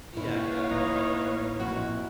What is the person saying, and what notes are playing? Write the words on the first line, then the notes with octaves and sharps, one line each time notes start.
Yeah, yeah, and
A#2 E4 B4 C#5 F5
A1 D#4
F2 A#2 E4 F#4